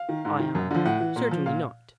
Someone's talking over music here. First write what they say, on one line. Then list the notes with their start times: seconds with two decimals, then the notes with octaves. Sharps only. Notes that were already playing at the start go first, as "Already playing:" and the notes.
ION: Certainly not.
Already playing: F5
0.09 D#3
0.25 G#2
0.40 D#3
0.55 F#2
0.71 D3 F3
0.85 A2 F#5
1.00 E3
1.16 A#2
1.31 F3
1.46 A#2 F5